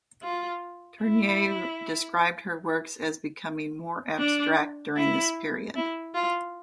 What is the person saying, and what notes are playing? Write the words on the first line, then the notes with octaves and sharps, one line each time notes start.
Turnier described her works as becoming more abstract during this period.
F4
E4
D4
E4
E4
F4